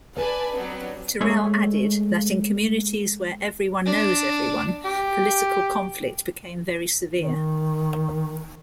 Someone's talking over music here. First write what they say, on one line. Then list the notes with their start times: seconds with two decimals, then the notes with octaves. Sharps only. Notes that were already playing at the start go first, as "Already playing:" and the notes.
Terrell added that in communities "where everyone knows everyone" political conflict became very severe.
0.16 B4 D5 G#5 A5 B5
0.54 F#3 G3 B3 C4 D4
1.21 G#3 A3 C#5
3.85 D4
4.85 G4
7.14 D#3